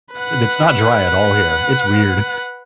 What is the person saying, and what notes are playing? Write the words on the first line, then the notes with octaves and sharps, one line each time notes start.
Th it's not dry at all here, it's weird
B4 F#5